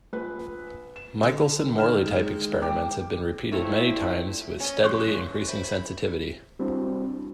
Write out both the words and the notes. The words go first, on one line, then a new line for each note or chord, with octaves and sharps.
Michelson-Morley type experiments have been repeated many times with steadily increasing sensitivity.
A#1 B4
E7
D3
D#3 F6 E7
G#3
G5 D6
G2 A#2 A3 C4 E4 C#5
C#4 D#5
D#3 F3 F#3 C6 C#6 F#6
G2
C5 E5 B5
G3 C4 D4 E4 F#4 C5